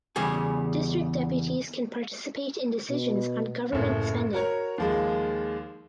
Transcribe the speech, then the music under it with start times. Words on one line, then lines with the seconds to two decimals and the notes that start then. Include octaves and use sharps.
District deputies can participate in decisions on government spending.
0.16 E2 C#3 G3 G#4 G#5
2.90 B2
3.72 F#1 A2
4.33 F#4 A#4 C#5
4.78 D#2 F3 G#3